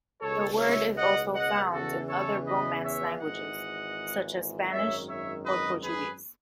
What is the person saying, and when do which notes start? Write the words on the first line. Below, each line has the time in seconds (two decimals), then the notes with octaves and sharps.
The word is also found in other Romance languages such as Spanish or Portuguese.
0.21 C#2 B2 A4 C#5
0.59 C#5 E5
0.96 D#5 F#5
1.33 D#5 F#5
1.70 E2 C#3 E3 F#4 A4
2.08 A4 C#5
2.46 B4 D#5
2.83 C#5 E5
3.20 G#1 G#2 E3 D#5 F#5
4.70 G#1 F#2 D#3 C#5 E5
5.07 C#5 E5
5.45 B4 D#5
5.82 G#4 B4